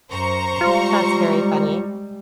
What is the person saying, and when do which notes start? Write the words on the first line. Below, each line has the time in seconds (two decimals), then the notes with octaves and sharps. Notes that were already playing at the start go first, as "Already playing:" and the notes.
That's very funny.
0.11 F#2 C5 A#5 C#6
0.61 G3 G#3 F4